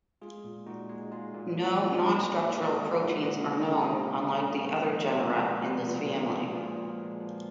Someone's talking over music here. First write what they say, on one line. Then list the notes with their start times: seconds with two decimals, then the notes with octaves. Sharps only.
No nonstructural proteins are known unlike the other genera in this family.
0.22 G#3 F4 G#4
0.44 A#2
0.66 A#2 D#4 F#4
0.89 G#3
1.12 G#3 F4
1.34 A#2
1.57 A#2
1.79 G#3
2.02 G#3 D#4 F#4
2.24 A#2
2.32 F#4 A#4
2.47 A#2
2.62 F#4 A#4
2.70 G#3
2.92 G#3 D#5 F#5
3.15 A#2
3.22 D#5 F#5
3.37 A#2
3.52 D#5 F#5
3.60 G#3
3.82 A#2 D#5 F#5
4.05 A#2
4.27 G#3 D#5 F#5
4.50 F3
4.72 A#2
4.94 A#2 F#4 A#4
5.07 B4
5.17 G#3 F#4 A#4
5.40 F3 F#4 A#4
5.62 A#2 G#4 B4
5.85 A#2
6.07 G#3
6.30 F3
6.52 A#2 F4 G#4
6.75 A#2
6.97 G#3
7.20 F3